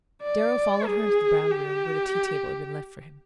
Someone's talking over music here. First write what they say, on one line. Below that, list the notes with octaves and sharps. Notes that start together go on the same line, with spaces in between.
Darrow followed her into the brown room, where the tea-table had been left for him.
D5
G#4
G4